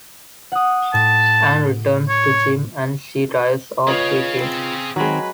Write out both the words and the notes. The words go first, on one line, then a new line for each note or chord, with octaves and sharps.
Ann returns to Jim and she drives off with him.
F#5 D#6
A2 A5
C#5
F4 G#4 B4 C#5 D#5 F5
C4
D#3 F#3 G#3 C4 B4